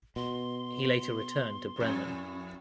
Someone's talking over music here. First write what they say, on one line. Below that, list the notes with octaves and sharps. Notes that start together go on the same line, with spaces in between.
He later returned to Bremen.
B2 C6
F2 A2